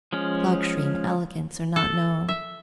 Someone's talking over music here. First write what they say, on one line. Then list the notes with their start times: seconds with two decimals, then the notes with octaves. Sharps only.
Luxury and elegance are not known.
0.13 F3 G#3 C#4
1.76 A4
2.29 E5